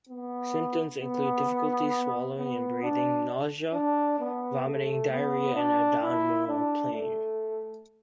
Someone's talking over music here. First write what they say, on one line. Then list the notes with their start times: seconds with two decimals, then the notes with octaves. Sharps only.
Symptoms include difficulty swallowing and breathing, nausea, vomiting, diarrhea, and abdominal pain.
0.09 B3
1.00 B3
2.38 B3
2.83 D4
3.73 D4
4.19 B3
4.65 A3
5.11 B3
5.56 D4
6.02 E4
6.48 D4
6.93 A3